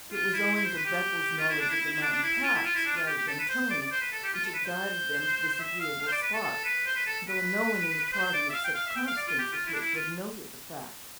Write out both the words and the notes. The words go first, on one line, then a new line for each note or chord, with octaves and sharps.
It was owing to Beppo's knowledge of the mountain paths rather than Tony's which had guided them to this agreeable spot; though no one in the party except Constance appeared to have noted the fact.
F4
E4
E4
C5
B4
G4
F4
E4
D4
E4
E4
E4
D4
D4
E4
E4
F4
E4
F4
E4
D4
F4
G4
G4
A4
B4
C5
D5
D5
C5
B4
A4
G4
F4
A4
B4
C5
E5
F5
F5
C5
D5
B4
A4
A4
B4
C5
B4
A4
B4
C5
D5
E5
F5
G5
F5
E5
G5
F5
D5
F4
G4
F4
E4
D4
E4
F4